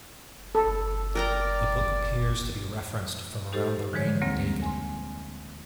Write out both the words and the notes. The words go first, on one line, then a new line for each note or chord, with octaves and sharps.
The book appears to be referenced from around the reign of David.
A4
A#4 D5 G5 A#5
D#4 G4 A4 C5
D3 E3 F3 G#3 C#5
D2 G3 A#3 C4
G#5 C6